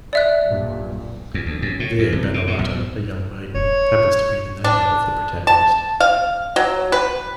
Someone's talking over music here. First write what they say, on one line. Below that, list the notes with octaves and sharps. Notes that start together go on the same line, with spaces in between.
There Banalata, a young maiden, happens to be the neighbour of the protagonist.
D5 E5 F#6
B1 G2 A#2
E2
D2
F#2
A2
E2
C2
B2
G#2
B1
E1 C#5
D4
A5
F5
F#3
B4